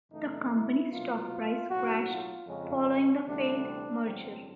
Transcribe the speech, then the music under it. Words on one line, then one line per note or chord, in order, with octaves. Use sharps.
The company's stock price crashed following the failed merger.
F#2 C#3 E3 A3 D#4
E4
C2 B2 F#3 A#3 F4
B1 A2 F#3 F#4
F4
F2 C#3 F3 G#3 C#4
D2 C3 E3 G3 D4
A1 G2 D3 F#3 C4